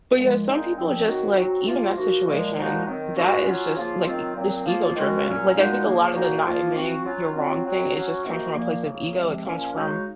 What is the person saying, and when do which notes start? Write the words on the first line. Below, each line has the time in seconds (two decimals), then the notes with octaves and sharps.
but yeah, some people are just like even that situation, that is just like, it's ego-driven. Like, I think a lotta the not admitting you're wrong thing, it just comes from a place of ego, it comes from
0.17 A#2 F3 G#3
0.46 A#2 G#3 C4 D#4
0.77 A#2 F3 C4
1.07 D#3 F#3 C4 D#4 F#4
1.37 F#3 C4 D#4 F#4
1.66 C3 F3 A#3 F4
1.96 F3 A#3 D#4 F#4
2.27 A#2 F3 G#3
2.56 A#2 F3 G#3 D#4 F#4
2.86 D#3 F#3 C4
3.16 A#2 G#3 D#4 F#4
3.46 F#3 C#4 F4
3.76 C#3 F3 A#3 F4
4.06 D#3 F#3 C4 F4
4.36 A#2 F#3 C4
4.65 F3 A#3 F4
4.95 D#3 G#3 C#4 F#4
5.26 A#2 F#3 C#4
5.55 A#2 F3 G#3 D#4 F#4
5.85 C#3 F3 A#3
6.15 A#2 F#3 A#3 D#4 F#4
6.45 F3 A#3 F4
6.75 F3 C4 F#4
7.05 F#3 C#4 F4
7.35 F#3 C4 F4
7.65 F#3 C4 F#4
7.95 F#3 C#4 F#4
8.25 C3 D#3 A#3 D#4 F#4
8.55 A#2 F3 A#3
8.85 C#3 F#3 A#3
9.14 C3 F3 G#3 C4
9.44 A#2 F3 A#3 C#4 F4
9.74 C#3 G#3 D#4 F#4